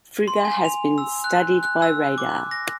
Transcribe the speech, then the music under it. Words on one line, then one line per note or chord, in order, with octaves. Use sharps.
Frigga has been studied by radar.
C6
G#5
F7
E6
F#6
F#6
E6
D6
A#6